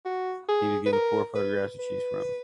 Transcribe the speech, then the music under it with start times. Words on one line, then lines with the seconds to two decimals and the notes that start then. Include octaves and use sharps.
He was given four photographs to choose from.
0.05 F#4
0.48 G#4
0.86 B4
0.93 A#4
1.35 B4
1.79 B4